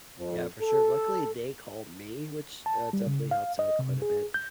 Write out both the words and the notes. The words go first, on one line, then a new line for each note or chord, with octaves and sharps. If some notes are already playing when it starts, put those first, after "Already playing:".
Yeah, for sure. Luckily, they called me, which, uh, definitely helps out quite a bit,
F2
A4
A5
G3
C#3
F5
D#5
C3
G#4
G6